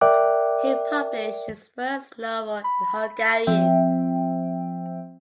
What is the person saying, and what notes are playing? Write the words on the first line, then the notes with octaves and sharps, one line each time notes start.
He published his first novel in Hungarian.
A#4 D5 E5 G5 D6 F#6
B5
F3 C4 E5 G5